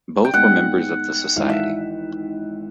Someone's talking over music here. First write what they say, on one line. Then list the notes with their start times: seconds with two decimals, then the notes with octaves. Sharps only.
Both were members of the society.
0.25 G5
0.34 G#2 D#3 G#3 B3 D#4 F#5
1.36 G#1 G#2 E3 F5
1.50 E5